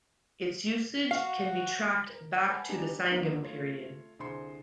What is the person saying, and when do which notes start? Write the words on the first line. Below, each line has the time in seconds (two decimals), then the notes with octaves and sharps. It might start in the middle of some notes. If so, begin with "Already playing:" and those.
Its usage can be traced back to the Sangam period.
1.11 F#4 F5
2.11 A#4
2.49 B4 C#5 F#5 G#5 A5 B5
2.68 B3 D4 D#4 G4 B4 G#5
3.11 D#3 F#3 A#3 B3 D4 F4
3.43 A3 F4 C#5
4.19 C2 D3 G#4 C5 C6 C#7